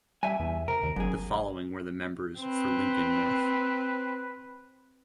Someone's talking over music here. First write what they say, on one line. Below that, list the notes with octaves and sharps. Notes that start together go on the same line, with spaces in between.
The following were the members for Lincoln North.
G3 E5 G#5
E2
C3 A#4
D#2
G1 F#2 G#4
C4 B4